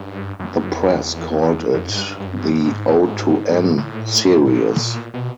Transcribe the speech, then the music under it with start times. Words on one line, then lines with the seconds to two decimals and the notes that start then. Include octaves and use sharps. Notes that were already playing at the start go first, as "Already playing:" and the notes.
The press called it the O-N Series.
Already playing: G2
0.39 F#2
0.72 E2
1.74 F2
1.89 G#2
1.96 G2
2.20 G2
2.27 F#2
2.35 G2
2.42 F#2
2.64 G#2
2.88 A2
3.10 G#2
3.78 A2
4.45 A#2
5.14 B2